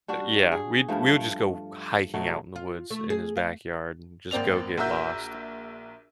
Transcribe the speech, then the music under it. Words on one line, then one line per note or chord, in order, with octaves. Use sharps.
uh, yeah, we'd we would just go hiking out in the woods in his backyard, and just go get lost,
G3 D4 F#4 G4
G#4
G2 F3 A3
B2 F#3 A3
F4
A3
G#4
F5
G#1 A#3 C4 D5 F7
A#1 F#4 A#4 E5 G6